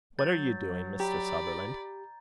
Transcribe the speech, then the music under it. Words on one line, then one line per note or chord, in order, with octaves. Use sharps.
"What are you doing, Mr. Sutherland?"
F#3 G6 A6
G4 D5 A#5 B5